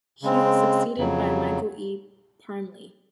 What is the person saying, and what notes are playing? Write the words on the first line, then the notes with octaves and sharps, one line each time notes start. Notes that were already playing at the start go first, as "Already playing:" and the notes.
He was succeeded by Michael E. Parmly.
C#3 G#3 C4
F2 C#3 F#3